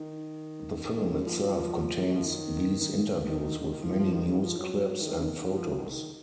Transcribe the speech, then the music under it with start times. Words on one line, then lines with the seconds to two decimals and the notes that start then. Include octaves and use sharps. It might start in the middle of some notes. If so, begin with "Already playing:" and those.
The film itself contains these interviews, with many news clips and photos.
Already playing: D#3
0.97 D#3
1.05 C#3
1.16 F#2
1.27 F3
1.38 F#3
1.49 F3
1.97 F3
2.04 F#3
2.16 F3
2.26 D#3
2.81 D#3
3.26 D#3
3.63 C#3
3.69 D#3
3.85 F3
3.99 F3
4.14 D#3
4.28 C#3
4.39 D#3
4.43 F3
4.58 F#3
5.01 D#3
5.18 C#3
5.24 D#3
5.46 F#3
5.57 F3
5.68 F#3
5.79 D#3
5.91 D#3